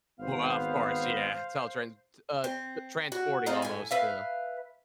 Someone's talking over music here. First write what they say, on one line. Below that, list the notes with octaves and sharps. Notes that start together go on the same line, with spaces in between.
Well, uh, of course. Yeah. It's all trans t uh, eh, transporting almost. Yeah.
G#1 B3 C5 F5
C4
F#4
C4 D#4 F4 G#4
A2 G#5
B4 E5 F5